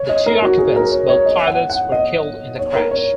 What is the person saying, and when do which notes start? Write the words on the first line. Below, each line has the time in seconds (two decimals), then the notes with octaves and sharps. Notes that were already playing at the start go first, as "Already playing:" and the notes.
The two occupants, both pilots, were killed in the crash.
Already playing: C#5
0.09 D#5
0.26 A#4
0.42 F#4
0.58 G#4
0.76 A#4
0.92 C#5
1.09 C#5
1.26 D#5
1.48 F#5
1.70 F#5
1.92 D#5
2.59 C#5
2.75 A#4
2.91 C#5